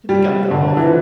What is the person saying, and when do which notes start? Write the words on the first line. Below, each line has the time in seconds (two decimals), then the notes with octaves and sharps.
Did the gun go off? ...'
0.09 G3
0.51 D3
0.77 E3
0.85 F3